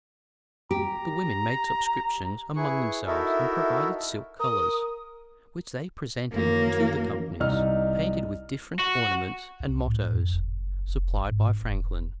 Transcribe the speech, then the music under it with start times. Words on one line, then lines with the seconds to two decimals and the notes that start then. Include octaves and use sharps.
The women made subscriptions among themselves, and provided silk colors, which they presented to the companies, painted with different ornaments and mottoes, supplied by Franklin.
0.71 G4 A#5
2.55 E4 G#4 B4 C#6
3.06 D#4 E4 F#4 A4 A#4 E5
4.40 A#4 D#6
6.33 F#2 D#3 E3 A#3
7.40 C2 D#4 F6
8.80 F#4
9.60 C2
9.88 A2
10.13 F2
10.33 F#1
10.87 F1
11.17 G#1
11.31 G#2
11.63 E1